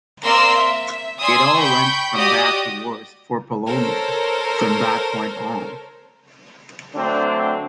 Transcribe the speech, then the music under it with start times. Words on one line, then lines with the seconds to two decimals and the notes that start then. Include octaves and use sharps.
It all went from bad to worse for Polonia from that point on.
0.23 A#3 C4 A#4 D5 C6 E6
0.56 E5
1.19 D5 G#5 C6 D#6 E6
1.59 G5 B5 C#6 G6
2.14 F#4 G4 D5 D#5 D#6
3.67 A4 A#4 C5 C#5
6.95 D3 F#3 A3 C4 D4